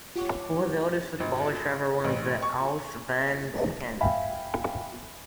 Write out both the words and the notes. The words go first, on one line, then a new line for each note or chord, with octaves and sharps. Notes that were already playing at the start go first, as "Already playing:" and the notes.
He was the oldest footballer to ever win the Allsvenskan.
F4 G4 C#5 F#5 C#6 D6
G#1
A1
C#6
E5 F5 G5 G#5 B5